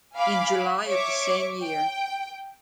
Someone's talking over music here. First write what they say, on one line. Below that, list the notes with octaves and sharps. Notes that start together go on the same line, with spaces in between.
In July of the same year.
F5 G#5 B5 D6
C#5 E5 C#6 D6
G5